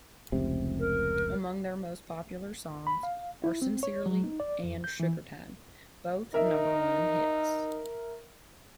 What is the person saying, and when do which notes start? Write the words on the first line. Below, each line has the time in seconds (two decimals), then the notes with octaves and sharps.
Among their most popular songs are "Sincerely" and "Sugartime", both number one hits.
0.32 F1 C#2 C3
0.79 A#4
2.87 B5
3.03 F5
3.44 E4
3.62 C4
3.83 C#5
4.06 F#3
4.24 D#4
4.40 D5
4.64 F2
4.84 G6
5.00 E3
6.34 D#4 A#4 E5